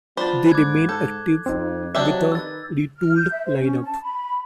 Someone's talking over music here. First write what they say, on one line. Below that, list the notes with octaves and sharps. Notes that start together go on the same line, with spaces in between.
They remain active with a retooled line-up.
F3 B3 D4 F4 C5 B5 A6
G#2 D6 F#6 G#6
A4 G6
F2 C4 D#4
F#3 C4 D4 G4 C#5 D#5 E5 F#6
D#3 A4 B4 E6 A6
F6
G6
E5
C5
C#4
A5
B5